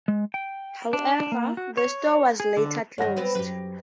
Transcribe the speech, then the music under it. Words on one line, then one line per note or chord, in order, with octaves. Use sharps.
However, the store was later closed.
G#3
G5
D4
A#3
F#4
C#5
G#4
D3
G2 D#3 C#5 F#5 A#6
B3 C4 B4
F#2 G4 B4